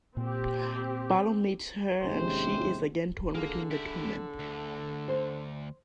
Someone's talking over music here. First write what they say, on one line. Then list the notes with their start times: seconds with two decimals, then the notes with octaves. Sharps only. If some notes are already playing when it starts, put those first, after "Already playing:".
Barlow meets her and she is again torn between the two men.
0.17 A#2 C4 G4
2.02 D#2 A2 C3 G#3 C#4 C5
3.35 D3 A#3 G#4
3.71 E4 G4
4.39 D2
5.08 C5